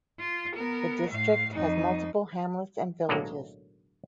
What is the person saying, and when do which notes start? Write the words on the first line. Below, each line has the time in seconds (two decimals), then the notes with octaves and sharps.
The district has multiple hamlets and villages.
0.19 F4
0.56 B3 A#4
1.10 A2 F5
1.54 F2 D#4
3.09 B1 A2 D3 F#3 G#3 A#3